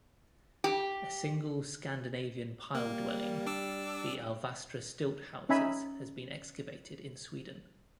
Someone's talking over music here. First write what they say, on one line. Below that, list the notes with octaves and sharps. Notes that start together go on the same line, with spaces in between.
A single Scandinavian pile dwelling, the Alvastra stilt houses, has been excavated in Sweden.
G4
G3 A#3
D4 D6 E6
C#4 D#4 E5 G#5 B5